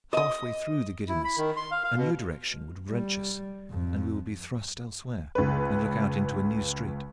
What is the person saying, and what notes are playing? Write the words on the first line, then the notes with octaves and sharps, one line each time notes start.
Halfway through the giddiness, a new direction would wrench us and we would be thrust elsewhere, and look out into a new street.
D#5 D#6
E4
B5
D#3
C6
F5
F5
B2
G3
F2
C#2 B4